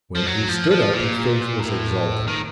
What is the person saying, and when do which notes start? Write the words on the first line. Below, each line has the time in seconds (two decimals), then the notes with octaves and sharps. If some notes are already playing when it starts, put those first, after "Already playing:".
When he stood up his face was exultant.
0.15 F3
0.27 F#3
0.49 F3
0.71 F3
0.94 A#2
1.60 A2
2.28 D#3